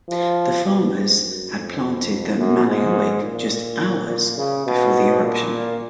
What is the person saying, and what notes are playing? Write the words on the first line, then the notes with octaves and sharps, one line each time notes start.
The farmers had planted the manioc "just hours" before the eruption.
F3
B2
G#2
F#2
F2
F#2
G#2
A#2
A#2
C#3
B2
A#2